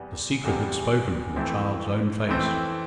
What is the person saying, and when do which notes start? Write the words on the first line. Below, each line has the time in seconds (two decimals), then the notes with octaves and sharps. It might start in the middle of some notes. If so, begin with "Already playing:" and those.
The secret had spoken from the child's own face.
Already playing: E2 C3 G3 B3
0.44 E2 C3 G3 B3
1.36 F2 E3 A3 C4 E4
2.29 F2 E3 A3 C4 E4